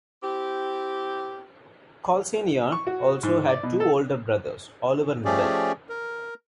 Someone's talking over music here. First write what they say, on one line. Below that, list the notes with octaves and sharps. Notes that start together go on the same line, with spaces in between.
Cal Senior also had two older brothers, Oliver and Bill.
C4 E4 G4
C#6
F#4
G#2
D5
B2
A4
F3 A3 C#4 G4 G#4 D5
A#4